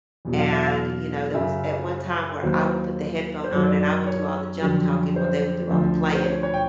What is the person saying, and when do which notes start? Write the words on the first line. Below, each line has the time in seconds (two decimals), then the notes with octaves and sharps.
and, you know, there was at one time where I would put the headphone on and I would do all the junk-talking while they would do all the playing,
0.25 E2 B2 F#3
0.39 F5
0.53 E5
0.67 F5
1.34 F#2 C#3 F#3 E5
2.43 D#2 D#3 F#3 C5
3.44 C5
3.52 F#2 D#3 F#3 C#5
3.66 D5
3.79 D5
4.07 C#5
4.61 F2 D3 F#3
5.16 C5
5.70 D2 D3 F3
6.15 C5
6.25 C#5
6.43 C#5
6.54 G5